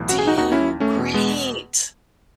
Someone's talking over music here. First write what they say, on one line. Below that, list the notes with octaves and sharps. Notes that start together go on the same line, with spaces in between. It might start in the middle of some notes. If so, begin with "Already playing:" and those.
Do you? Great!
Already playing: B1 A2 E3
F#4
G#4
D#4 F#4
D#2 D#3 D#4 F#4
C#4 E4
A3 C#4
E2 B2
G#3 B3